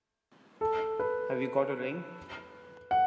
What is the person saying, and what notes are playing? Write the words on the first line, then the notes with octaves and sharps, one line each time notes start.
Have you got a ring?
A4
B4
F#5